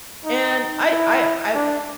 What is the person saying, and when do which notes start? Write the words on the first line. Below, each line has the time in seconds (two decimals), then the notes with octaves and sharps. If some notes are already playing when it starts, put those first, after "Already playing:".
And I I I
0.25 D#4
0.89 E4
1.54 D4